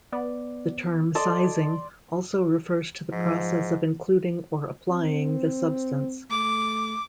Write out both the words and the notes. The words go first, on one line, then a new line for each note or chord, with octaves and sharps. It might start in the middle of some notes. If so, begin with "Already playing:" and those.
The term "sizing" also refers to the process of including or applying the substance.
B3 D5
A4 D5 D#5 A5 C6
G#2 F3
C4
A3 D6